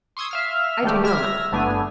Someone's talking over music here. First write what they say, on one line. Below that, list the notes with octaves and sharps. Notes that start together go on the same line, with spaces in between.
"I do not."
C6 C#6 D#6 E6 G#6
E5 F5 F6
D#3 G3 A3 G4
E5 F6 G#6 A#6 B6
G1 A3 B3 D4 G#5